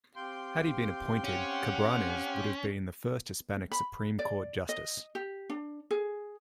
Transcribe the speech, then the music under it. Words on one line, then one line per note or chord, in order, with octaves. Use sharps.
Had he been appointed, Cabranes would have been the first Hispanic Supreme Court justice.
C4 G4 F5 G5 C6
C#4 F#5
B5
D5
D#5
G4
D4
G#4